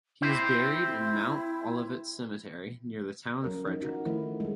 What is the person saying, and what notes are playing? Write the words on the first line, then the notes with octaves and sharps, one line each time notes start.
He was buried in Mount Olivet cemetery near the town of Frederick.
C4 E4 G4 C5
F#3 C#4 A#4 D#5
F3 D#4
D#4 F#4 A#4
D#3 F3 A3 E4
G3 G#3